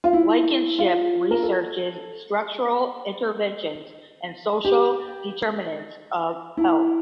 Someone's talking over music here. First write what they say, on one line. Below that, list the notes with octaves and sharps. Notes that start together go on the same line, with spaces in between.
Blankenship researches structural interventions and social determinants of health.
F4
E4
F4
A#4
A4
G4
E4